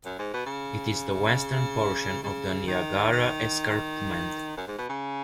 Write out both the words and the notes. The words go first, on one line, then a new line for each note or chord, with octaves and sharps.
It is the western portion of the Niagara Escarpment.
F#2
G#2
B2
C#3
C#3
D#3
D#3
F#2
G#2
B2
C#3